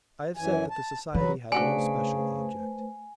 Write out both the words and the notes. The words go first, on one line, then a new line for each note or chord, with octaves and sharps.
I have said that the society had no special object.
F#2 E3 G#5
A5
E3 F#3 B4
C#3 A3 D4 F#4 B4 C5 D5 G#5